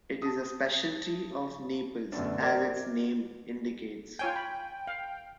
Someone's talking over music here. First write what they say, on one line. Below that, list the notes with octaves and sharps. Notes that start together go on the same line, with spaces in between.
It is a speciality of Naples, as its name indicates.
A5 D#6
F#2 B2 D3 A3 B3 D4
A#4 C5 D5 D6 G#6
F4 C#5 G5 G#5
B5
F5